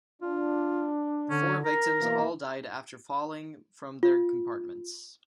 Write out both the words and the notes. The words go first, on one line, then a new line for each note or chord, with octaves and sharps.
The four victims all died after falling from their compartments.
D4 F4
D3 C#4
A#4 A#5
B2 E3 A#3
F4